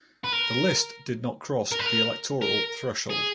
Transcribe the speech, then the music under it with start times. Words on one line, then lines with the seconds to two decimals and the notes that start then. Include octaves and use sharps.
The list did not cross the electoral threshold.
0.24 B4
0.33 A#4
1.72 A#4
1.79 B4
1.86 A#4
2.42 A#4
3.10 G#4